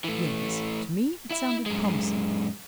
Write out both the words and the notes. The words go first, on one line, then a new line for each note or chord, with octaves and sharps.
"Yes?" To me it sounded promising.
E3 A3
E4 E5
F#2 G#3